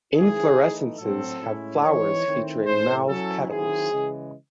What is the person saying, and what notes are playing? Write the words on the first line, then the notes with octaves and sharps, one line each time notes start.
Inflorescences have flowers featuring mauve petals.
D#3 F#3 C4 E4 G#4
E3 A3 D#4
A2 F#3 C4 A4
A2 G#3 C#4 E4
E3 G#3 C4 D#4 C#5
D#3 A3 C4 E4
A2 E3 A3 C#4 C5
F#3 C#4 E4 A4
D#3 F#3 C4 E4 G#4
C#3 E3 G#3